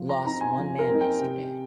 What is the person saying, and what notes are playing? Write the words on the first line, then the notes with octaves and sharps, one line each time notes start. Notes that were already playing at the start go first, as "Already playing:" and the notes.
Lost one man yesterday.
Already playing: F3
A#5
C4 D#4 A#5
G#5
F3
A#4
C4 D#4
G5
C3